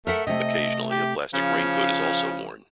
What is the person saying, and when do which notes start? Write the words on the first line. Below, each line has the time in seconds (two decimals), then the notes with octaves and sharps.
Occasionally a plastic raincoat is also worn.
0.07 A3 A#4 E5 F#5
0.27 C3 A3 D#5
0.91 G4
1.32 C#3 F3